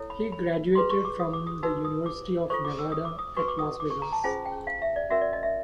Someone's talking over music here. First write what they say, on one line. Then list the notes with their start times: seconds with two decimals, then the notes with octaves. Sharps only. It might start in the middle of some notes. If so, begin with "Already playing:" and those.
He graduated from the University of Nevada at Las Vegas.
Already playing: E4 A4 C#5
0.10 B5
0.32 B5
0.75 F4 G#4 B4 C6
0.90 C#6
1.05 D6
1.20 D#6
1.33 D6
1.47 D#6
1.63 D#4 F#4 B4 E6
1.85 D#6
2.06 D6
2.50 F4 A4 C5 C#6
2.65 D6
2.79 E6
2.92 D#6
3.05 D6
3.19 D#6
3.37 F#4 B4 C#6
3.48 D6
3.59 D#6
3.80 D6
3.90 C#6
4.02 A#5
4.12 A5
4.24 C#4 F4 G#4 C5 G#5
4.45 G5
4.67 F5
4.82 E5
4.96 D5
5.10 C#4 F#4 A#4 E5
5.21 D5
5.33 D#5
5.43 E5